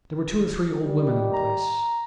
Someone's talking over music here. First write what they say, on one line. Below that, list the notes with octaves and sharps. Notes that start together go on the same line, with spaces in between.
There were two or three old women in the place.
D#3 G3
A#5